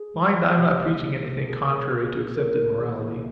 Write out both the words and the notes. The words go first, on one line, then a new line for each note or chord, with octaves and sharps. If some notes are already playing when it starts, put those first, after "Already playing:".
Mind, I am not preaching anything contrary to accepted morality.
Already playing: G#4
G#3
G#3
F4
C3 G4
A#3
C3
A#3
G#4 A#4
A#4
A#4
A#3
A#3 A#4
A#3
D#3 G#4
A#3